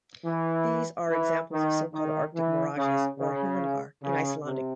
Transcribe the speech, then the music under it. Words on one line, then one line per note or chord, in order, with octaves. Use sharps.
These are examples of so-called Arctic mirages, or "hillingar" in Icelandic.
E3
E3
D#3
D#3
E3
C#3
C#3
C#3
C3